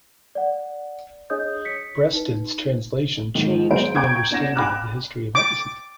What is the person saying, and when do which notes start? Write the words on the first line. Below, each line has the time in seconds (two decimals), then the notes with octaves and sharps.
Breasted's translation changed the understanding of the history of medicine.
0.35 D5 F#5
1.30 D4 G#4 C#5 D#5 D#6 G6
1.65 B6 C#7
2.13 D#4 B4
3.35 G#2 D#3
3.70 F#3 B3 G#4 C5 D7
3.95 G5 A#5 C#6 G6 G#6 D7
4.31 B3 D4 D5 F#5 A#6 E7
4.55 G5 G#5 B5 D6 F6 F#6
5.35 D6